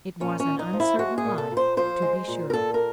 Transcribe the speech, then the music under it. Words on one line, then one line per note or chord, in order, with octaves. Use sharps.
It was an uncertain life, to be sure.
A#2 C#4
C#4
A#2
D#4
F3
E4
G#3 F#4
G#4
A#2
A4
A#2
C5
F3 C5
G#3
A#2
A#4
A#2 A4
A#4